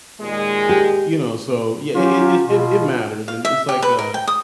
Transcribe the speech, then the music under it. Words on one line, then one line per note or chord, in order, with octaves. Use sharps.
you know, so yeah, it it it's it it matters, and it's like, uh,
D#2 A#2 G#3
G4
F#3 C#4 F4 G4
B2 F4
F5
E5
G4
B4
A#4
G5
D#6